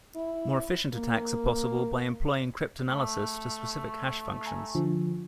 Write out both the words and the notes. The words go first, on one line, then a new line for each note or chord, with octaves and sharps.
More efficient attacks are possible by employing cryptanalysis to specific hash functions.
E4
A#3
A3
G#5 A#5
D3 F3